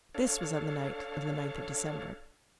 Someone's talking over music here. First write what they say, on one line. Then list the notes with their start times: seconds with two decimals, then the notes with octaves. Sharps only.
This was on the night of the ninth of December.
0.15 D4 A4 C#5 F5